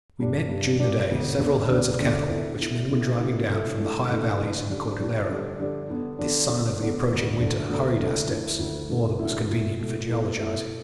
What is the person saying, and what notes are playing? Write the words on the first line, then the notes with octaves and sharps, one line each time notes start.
We met during the day several herds of cattle, which men were driving down from the higher valleys in the Cordillera. This sign of the approaching winter hurried our steps, more than was convenient for geologizing.
G2 G3 D4
G2 G3 D4
G2 G3 D4
D2 D3 B3 D4
D2 D3 B3 D4
D2 D3 B3 D4
D2 D3 B3 D4
D3 B3 E4
D3 B3 E4
D3 B3 E4
D3 B3 E4
D3 A3 E4
D3 A3 E4
D3 A3 E4
D3 A3 E4
D3 G3 D4
D3 G3 D4
D3 G3 D4
D3 G3 D4
D3 B3 D4
D3 B3 D4
D3 B3 D4
D3 B3 D4
D2 D3 A3 D4
D2 D3 A3 D4
D2 D3 A3 D4
D2 D3 A3 D4
D2 D3 A3 E4
D2 D3 A3 E4
D2 D3 A3 E4
D2 D3 A3 E4
B2 A3 E4
B2 A3 E4
B2 A3 E4
B2 A3 E4